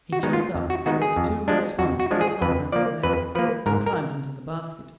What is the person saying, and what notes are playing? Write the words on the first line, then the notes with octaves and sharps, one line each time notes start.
He jumped up, with the two red swans still slung round his neck, and climbed into the basket.
F#4
D#3 G#3 B3 D#4
F4
F2
F#4
D#3 G#3 B3 D#4 F#4
G#4
F2
F3 G#3 D4
F2 F#4
F#4
F3 G#3 D4
G#4
F2 B4
F3 A#3 D5
F2 B4
F3 A#3 B4
G#2 A#4
A#4